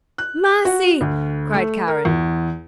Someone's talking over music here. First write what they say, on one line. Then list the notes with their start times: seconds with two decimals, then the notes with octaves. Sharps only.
"Mercy!" cried Karen.
0.18 F#6
0.65 F#4
1.01 D2
1.54 A3
1.88 A#4
2.05 E2